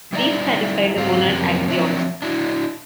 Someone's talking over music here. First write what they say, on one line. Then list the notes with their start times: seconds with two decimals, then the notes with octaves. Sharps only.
These satisfy the monad axioms.
0.13 G3 D#4 E4 D5 E5 A#5
0.97 G#2 C4 F4
1.28 F2 C3 F#3 A#3 C#4
1.68 F3 F#3 C4 D4 C#5 E5
2.22 D4 E4 F#4